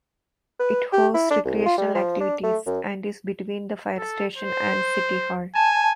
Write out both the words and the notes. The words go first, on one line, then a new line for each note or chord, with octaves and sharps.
It hosts recreational activities, and is between the fire station and city hall.
B4
G4
E4
D4
C2
F4
G3
F3
D4
A3
F#2
A4
C5
G#5 A5